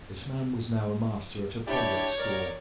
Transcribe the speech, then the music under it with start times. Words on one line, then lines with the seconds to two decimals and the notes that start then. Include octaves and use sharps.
This man was now a master at a public school.
1.67 D4 E4 G4 C#5 D5
2.19 A#4 D5